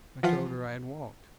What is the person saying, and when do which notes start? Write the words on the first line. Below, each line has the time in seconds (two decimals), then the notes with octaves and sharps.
I told her I had walked.
0.23 E3 F3 F4 F#5 B6 C7